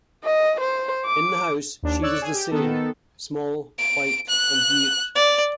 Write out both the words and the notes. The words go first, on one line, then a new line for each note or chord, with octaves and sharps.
In the house she was the same — small, white, and mute.
D#5
C5
D6
D#2 D4
C#5 D5 E6 F#6
G#4 G#5
G4
D#3 B3 A4
D7
F#6
D5